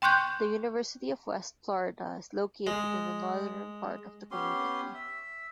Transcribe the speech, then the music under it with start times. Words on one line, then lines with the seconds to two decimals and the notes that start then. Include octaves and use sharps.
The University of West Florida is located in the northern part of the community.
0.02 G5 C6 C#6 F#6 G6
2.67 G#3
4.31 B3 C#4 G4 C6
4.94 E5